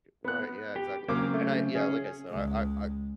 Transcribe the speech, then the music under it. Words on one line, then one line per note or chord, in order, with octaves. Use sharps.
G right. Yeah, exactly. And I yeah, like I said, I I I
B3 F#6
G4
C#3 F#3 A#3 C4 D6 F6
A3
C#4 G#4
C#2 G#3